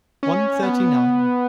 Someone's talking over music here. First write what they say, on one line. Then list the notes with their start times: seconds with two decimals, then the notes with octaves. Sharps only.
One thirty-nine.
0.23 C#4
0.63 B3